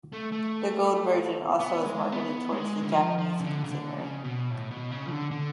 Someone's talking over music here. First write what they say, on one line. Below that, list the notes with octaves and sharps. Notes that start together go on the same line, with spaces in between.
The Gold version also was marketed towards the Japanese consumer.
A3
A3
B3
G#3
B3
G#3
D3
F3
F3
C#3
D3
C#3
D3
C#3
B2
A2
B2
C#3
F3
D3
D3